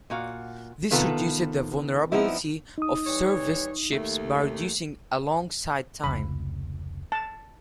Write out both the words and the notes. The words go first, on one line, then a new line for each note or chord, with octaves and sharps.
This reduces the vulnerability of serviced ships by reducing alongside time.
A#2 F#4 F5
C3 D#3 B3 F4 A4 B4
F3 G3 B3 C4 D#4 E4
D#4 D#6
E3 G3 C#5
D#2 A3
F1 C#2 B5
A5